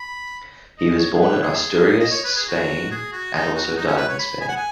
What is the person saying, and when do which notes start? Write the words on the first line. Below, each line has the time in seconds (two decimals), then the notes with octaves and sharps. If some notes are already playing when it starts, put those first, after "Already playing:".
He was born in Asturias, Spain and also died in Spain.
Already playing: B5
0.78 D#5
0.99 C#5
1.13 G#4
1.21 B4
1.42 G#4
1.99 D#5
2.11 C#5
2.24 B4
2.36 G#4
2.48 F#4
2.91 G#4
3.12 F#4
3.34 D#4
3.54 F#4
3.77 D#4
3.87 C#4
3.97 B4
4.08 C#5
4.19 B5
4.40 G#5
4.48 F#5
4.56 G#5